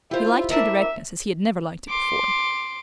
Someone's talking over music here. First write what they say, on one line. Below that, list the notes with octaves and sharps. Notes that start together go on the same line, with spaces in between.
He liked her directness as he had never liked it before.
E4 F4 G4 C5
D4 A4 A#4 E5
C6 D6